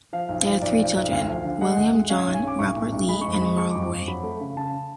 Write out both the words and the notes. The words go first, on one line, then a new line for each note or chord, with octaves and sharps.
They had three children, William John, Robert Lee, and Merle Ray.
F3 F5
B1
F3
B1 D5
F3
B1
D2 F5
F3
D3
G#3 F#5
D2
G#3
C#4 F5
B1
G#5
C#4 D6
B1 C#6
A2
B1
G#3 B5
F2 C#6
B5
G#3 C#6
G#3 C#6
D6
F2
D6
F2
F#3 B5
A3
C#3
C#3 A5